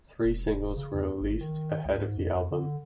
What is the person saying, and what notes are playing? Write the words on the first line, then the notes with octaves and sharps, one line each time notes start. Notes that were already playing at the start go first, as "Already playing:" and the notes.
Three singles were released ahead of the album.
E1
C#3
E2
G#1
D#3
C#2
G#2
F2
F2
D3